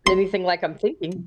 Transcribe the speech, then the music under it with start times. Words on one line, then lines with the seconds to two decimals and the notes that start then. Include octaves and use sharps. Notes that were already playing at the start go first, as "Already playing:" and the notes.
anything like I'm thinking
0.07 C6